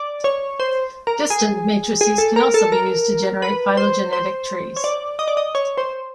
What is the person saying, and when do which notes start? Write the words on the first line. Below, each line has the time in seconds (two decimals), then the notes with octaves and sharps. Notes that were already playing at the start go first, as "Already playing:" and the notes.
Distance matrices can also be used to generate phylogenetic trees.
Already playing: D5
0.24 C#5
0.60 C5
1.07 A#4
1.30 G#4
2.01 G#4
2.18 A4
2.36 A#4
2.54 A4
2.72 A#4
3.42 B4
3.77 C5
4.13 C5
4.77 C#5
4.84 D5
5.19 D#5
5.28 D5
5.37 D#5
5.55 C#5
5.77 C5